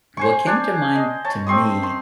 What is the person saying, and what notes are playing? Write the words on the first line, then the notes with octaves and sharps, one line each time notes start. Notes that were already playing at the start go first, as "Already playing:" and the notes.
what came to mind to me,
C5 G#5 C#6
D4 D5 G#5
D#5
C#5 A5
C4 C6 C#6 D#6
C6